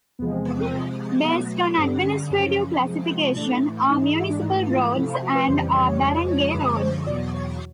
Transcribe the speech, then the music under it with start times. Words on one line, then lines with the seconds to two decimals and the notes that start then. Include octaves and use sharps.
Based on administrative classification, are municipal roads and are barangay roads.
0.19 E2 C3 F3 G#3 B3
0.32 C4
0.45 B3
0.58 C4
0.71 C3 F3 G#3
1.24 B2 F#3 A3 B3
1.77 G2 D3 G3 C4
2.03 C#4
2.30 F#2 C#3 F3 C#4
2.83 C3 F3 G#3
3.36 A2 E3 A3 D4
3.89 G#2 E3 G#3 D#4
4.03 D#4
4.16 E4
4.29 D4
4.42 G#2 E3 A3 D#4
4.69 F4
4.95 C3 F3 A3 E4
5.09 F4
5.22 F#4
5.35 B4
5.48 F2 C#3 E3 G3 C5
5.74 D5
5.88 C#5
6.01 F2 C#3 F3 G#3 C#5
6.15 D5
6.28 C#5
6.40 C#5
6.54 F#2 D3 F3 G#3 B4
6.76 C#5
6.80 C5
7.07 E2 B2 F#3 D5
7.34 C#5